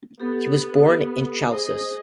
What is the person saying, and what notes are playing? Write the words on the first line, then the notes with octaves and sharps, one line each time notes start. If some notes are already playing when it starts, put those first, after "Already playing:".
He was born in Chalcis.
B3 G4 A4
G#4 C5 D#5